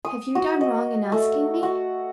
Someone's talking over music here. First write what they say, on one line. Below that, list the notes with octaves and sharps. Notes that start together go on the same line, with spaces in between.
Have you done wrong in asking me?
D#6
F#4
D#5
A3
F#4